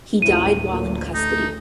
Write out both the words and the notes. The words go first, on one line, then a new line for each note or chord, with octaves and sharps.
He died while in custody.
A1 D2 A2 C4 C#4 E4 D#7
F#2 A#2 A#3
A3 D#4